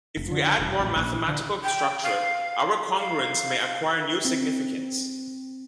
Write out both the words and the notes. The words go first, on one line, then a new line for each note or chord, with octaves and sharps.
If we add more mathematical structure, our congruence may acquire new significance.
F1
D3
E1
A1
A#1
D3
G5
F5
F5
C4